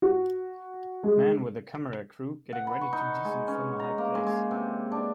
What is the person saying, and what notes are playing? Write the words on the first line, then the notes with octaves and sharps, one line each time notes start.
Man with a camera crew getting ready to descend from a high place.
F#4
G#3
F#5
B5
C#6
D#4
G#3
C#4
A#5
A#3
G#3
G#3
C3
D4